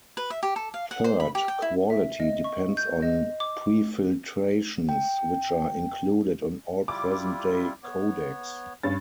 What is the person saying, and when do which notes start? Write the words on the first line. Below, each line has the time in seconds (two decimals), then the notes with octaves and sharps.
Third, quality depends on prefiltrations, which are included on all present-day codecs.
0.17 B4
0.30 E5
0.43 G4
0.56 A4
0.74 F5
0.91 F#5
1.04 C5
1.20 B5
1.35 G4
1.48 G5
1.62 E4
1.90 E5
2.20 D#5
2.44 C#6
2.77 G6
3.02 D#5
3.40 D6
4.89 G5
6.88 G3 E4 F4 D6
7.83 B3 C#5
8.83 G2 C#4 A6